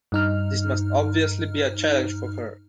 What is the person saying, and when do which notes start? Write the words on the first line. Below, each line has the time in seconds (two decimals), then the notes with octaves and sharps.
This must obviously be a challenge for her.
0.12 G2 D#4 F6